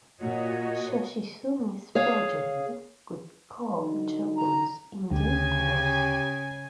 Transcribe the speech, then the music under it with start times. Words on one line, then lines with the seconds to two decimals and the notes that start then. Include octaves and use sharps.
Yoshizumi's progeny would become shoguns in due course.
0.20 A#2 F#4 C#5 D#5
1.95 G#4 C#5 F5
3.79 D3 F#3 D#4
4.37 A#5
5.11 D2 C#3 G4 G#5